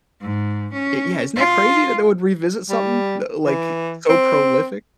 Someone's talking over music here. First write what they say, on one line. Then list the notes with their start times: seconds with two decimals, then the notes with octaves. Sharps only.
Y yeah, isn't that crazy that they would revisit something, l like, so prolific
0.21 G#2
0.73 C#4
1.36 F4
2.70 G3
3.47 E3
4.09 C4